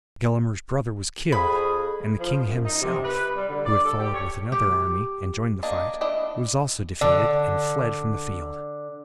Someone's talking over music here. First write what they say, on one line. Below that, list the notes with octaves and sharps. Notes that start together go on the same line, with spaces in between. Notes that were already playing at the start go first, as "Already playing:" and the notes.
Gelimer's brother was killed, and the king himself, who had followed with another army and joined the fight, was also defeated and fled from the field.
F2 G#4 B5
F3
F#2
D#4
C3
B4
G3
D3
D5
A4
G4
C#5
G4
A#3 D4 D#5
D4 E4 D#5
D3 D5 A5 D6